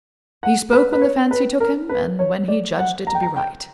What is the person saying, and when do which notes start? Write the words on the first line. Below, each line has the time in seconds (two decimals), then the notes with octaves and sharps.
He spoke when the fancy took him and when he judged it to be right.
0.43 F#5
0.72 B4
0.93 B4
1.01 C#5
1.31 B4
1.60 A#4
1.89 B4
2.19 C#5
2.48 D5
2.78 F#5
3.07 A#5
3.15 G5
3.22 A#5
3.36 G5